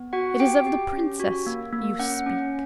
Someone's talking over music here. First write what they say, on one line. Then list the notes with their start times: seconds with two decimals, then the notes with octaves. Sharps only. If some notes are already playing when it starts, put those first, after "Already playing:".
"It is of the princess you speak."
Already playing: B3
0.13 F#4 F#5
0.40 G4 G5
0.66 G4
0.93 C#4
1.20 F#4
1.46 A#3
1.73 A#3
1.99 C#4 F#5
2.26 C#4